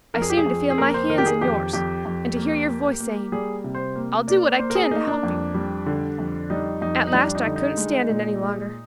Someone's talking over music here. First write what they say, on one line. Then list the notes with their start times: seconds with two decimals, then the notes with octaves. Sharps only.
I seemed to feel my hands in yours and to hear your voice saying, 'I'll do what I can to help you.' At last I couldn't stand it any longer.
0.14 F2 A#4
0.22 G#4
0.30 G4
0.37 G#4
0.46 F2
0.70 G#4
0.78 A#3 A#4
0.94 C5
1.10 D#3 A#4
1.18 G4
1.26 G#4
1.41 F2 G4
1.73 F2 G4
2.05 F2
2.36 A#3
2.68 A#3
3.00 A#3
3.32 G3 G#4
3.64 C3
3.75 C5
3.96 A#3
4.28 A#3 D5
4.59 A#3 C5
4.70 A#4
4.75 G#4
4.91 A#3 D#4
5.07 D4
5.23 F2
5.54 G3
5.86 D3
6.18 F2
6.50 G3 D#4
6.81 F2 D#4
7.07 D#4
7.13 G3 D4
7.35 D#4
7.46 D3
7.56 D#4
7.77 G#3
8.09 A#2
8.41 G#3